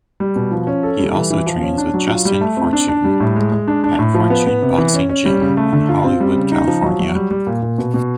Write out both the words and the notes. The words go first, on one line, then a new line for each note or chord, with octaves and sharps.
He also trains with Justin Fortune at Fortune Boxing Gym in Hollywood California.
G3
B2
F3
C#4
A4
G3
E3
E3
F3
C#4
D4
F#3
F4
G3
A3
C4
D4
D4
G3
A2
G#3
G#3
D4
D4
A2
F3
B3
B3
C3
E3
C#4
C#4
G3
C#3
A3
D3
F4
C4
G3
C#3
D#4
F3
F#3
F#3
G3
G3
A#2
A#2
B2
B2